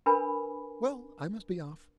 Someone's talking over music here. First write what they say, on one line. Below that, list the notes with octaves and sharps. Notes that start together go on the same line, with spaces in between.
Well, I must be off.
D4 A#4 B4 G#5 B5